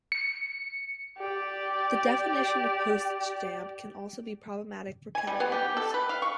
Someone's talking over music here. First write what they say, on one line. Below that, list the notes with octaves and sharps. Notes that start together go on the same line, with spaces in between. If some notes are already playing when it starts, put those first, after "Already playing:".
The definition of "postage stamp" can also be problematic for catalogers.
C#7
G4 D5
G#5
G3
B3
G4
A4
B4
F5
C#6